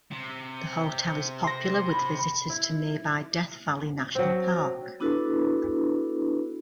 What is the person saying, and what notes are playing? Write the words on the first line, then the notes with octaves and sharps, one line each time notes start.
The hotel is popular with visitors to nearby Death Valley National Park.
C3
C6 A#6
B5
E4
F#3 C4
B3 D4 E4 F#4 A4 B4